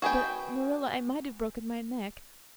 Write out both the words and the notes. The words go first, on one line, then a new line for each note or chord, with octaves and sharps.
But, Marilla, I might have broken my neck.
F#4 G#4 B4 G5